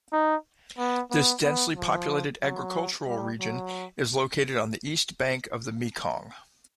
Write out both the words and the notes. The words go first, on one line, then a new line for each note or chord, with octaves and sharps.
This densely populated agricultural region is located on the east bank of the Mekong.
D#4
B3
B3
B3
F3
F#3
G3
F#3